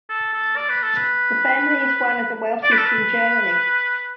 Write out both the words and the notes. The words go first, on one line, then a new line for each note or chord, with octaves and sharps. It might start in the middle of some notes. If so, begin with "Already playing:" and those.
The family is one of the wealthiest in Germany.
A4
A4
D5
B4
A4
B4
D5
B4
A4
B4